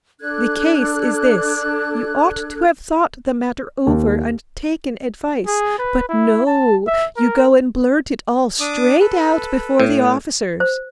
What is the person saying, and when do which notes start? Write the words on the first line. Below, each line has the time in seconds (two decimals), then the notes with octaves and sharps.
The case is this: you ought to have thought the matter over and taken advice; but no, you go and blurt it all straight out before the officers.
0.20 D4 A4 F#6 G#6
3.87 D#2
5.46 G#4
5.79 B4
6.09 E4
6.46 A5
6.87 E5
7.17 A#4
8.60 D4 D6 D#6
9.00 A4 B4
9.80 A2
10.60 C5